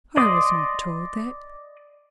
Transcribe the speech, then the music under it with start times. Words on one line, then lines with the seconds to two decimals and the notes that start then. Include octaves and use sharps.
"I was not told that."
0.17 D5 D#5 C6 D6 D#6